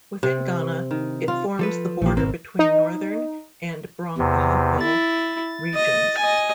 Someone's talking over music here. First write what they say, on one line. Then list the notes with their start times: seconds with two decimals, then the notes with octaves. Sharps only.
Within Ghana, it forms the border between Northern and Brong-Ahafo Regions.
0.23 C3
0.91 D#3
1.28 F4
1.59 F3 A4 B4
2.02 A#1 E3 A3 A#3 G4
2.17 G#1 B2 C4 A#4
2.59 D#4
4.18 E2 C3
4.81 E4 A6
5.74 D#5
6.18 D#5 G#5